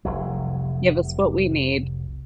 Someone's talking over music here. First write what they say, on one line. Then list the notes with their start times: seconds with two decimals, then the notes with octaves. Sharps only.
give us what we need.
0.05 F1 C2 F#3